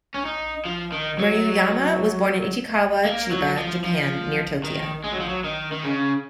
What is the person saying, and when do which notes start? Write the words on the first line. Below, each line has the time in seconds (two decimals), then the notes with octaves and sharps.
Maruyama was born in Ichikawa, Chiba, Japan, near Tokyo.
0.14 C#4
0.25 D#4
0.65 F3
0.92 D#3
1.19 F#3
3.05 A#3
3.31 F#3
3.58 F3
3.85 F3
4.64 D#3
5.04 G#3
5.12 F#3
5.20 F3
5.29 F#3
5.44 D#3
5.72 D#3
5.84 C#3